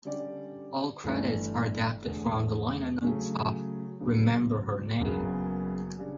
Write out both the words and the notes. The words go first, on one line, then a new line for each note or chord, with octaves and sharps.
All credits are adapted from the liner notes of "Remember Her Name".
D3 G3 C#4 G4 D5
G1 G2 E3 A3 E4
E1 E2 D3 A3
C#3 F#3 A3 C#4
D2 C#3 F#3 B3
F#1 F#2 C#3 F#3 B3
C#3 G3 D4